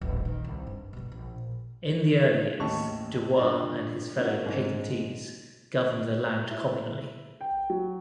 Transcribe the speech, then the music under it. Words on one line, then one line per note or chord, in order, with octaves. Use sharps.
In the early years, DuBois and his fellow patentees governed the land communally.
D#1 A1
D#3
C2
G2
B2 G3
A#1
A1 D#2 C#4 A5 C#6
G2 A#2 D5 D#5
A#3 C#4 E4 F#4
G#2 D3 C4
E4
G5
F#3